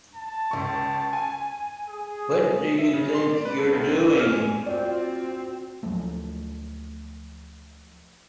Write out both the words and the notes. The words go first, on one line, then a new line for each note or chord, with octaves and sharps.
What do you think you're doing?
A5
C#2 C#6
G#5
G#4
E5
C#3
C6
D5
B4
A4
C2
C4
E6
F6
G#5
C4 D4 F4 F#4 D5
D2 F3 F#3 A3